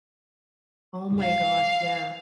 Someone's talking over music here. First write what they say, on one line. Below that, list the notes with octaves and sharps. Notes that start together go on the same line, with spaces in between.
Oh my gosh, yeah.
F5